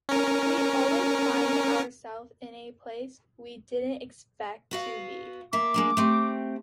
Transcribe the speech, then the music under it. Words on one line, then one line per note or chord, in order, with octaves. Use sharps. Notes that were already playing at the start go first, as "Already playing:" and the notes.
We always find ourselves in a place we didn't expect to be.
C#4 A#4
B3 F#4 F5
A#3 E5 D6
G#3 A#3 D4
A3 C4 G4